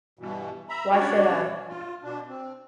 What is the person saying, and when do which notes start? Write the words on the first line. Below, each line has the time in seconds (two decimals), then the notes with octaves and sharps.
Why should I?
0.19 G2 B2 E3
0.69 E5 A#5 B5
0.92 C#4 D4 F#4 C#5 D5
1.69 F4
2.03 B2 D4
2.28 C4